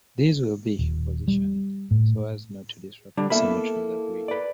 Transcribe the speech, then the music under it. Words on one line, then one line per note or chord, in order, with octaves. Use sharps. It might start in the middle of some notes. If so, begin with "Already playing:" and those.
These will be positioned so as not to disrupt the symmetry of the bridge.
D#1
G3
A2
D3 G3 D4
A#3 B3 E4 A4 E5 B5
B4 D5